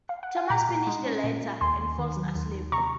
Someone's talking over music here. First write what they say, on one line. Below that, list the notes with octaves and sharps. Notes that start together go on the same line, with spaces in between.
Tomas finishes the letter, and falls asleep.
F5
F#5
G#5
A#2 F#5 A#5
A#2
G#3
C#4
A#2
A#2
D#2 G#5 C6
D#2
D#3
F#3
D#2
D#2
C3 A#5 C#6